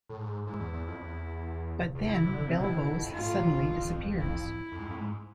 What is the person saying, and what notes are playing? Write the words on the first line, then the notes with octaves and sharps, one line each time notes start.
But then, Belboz suddenly disappears.
A2
G#2
G#2 E4
E2
E2
F2
E2
E2
F2 E4
G#2
C3
D3
C3
B2 E4
C3
B2
F2
G#2 F4
A2
C3
B2
F2
E4
F2
G#2
F2
A2
G#2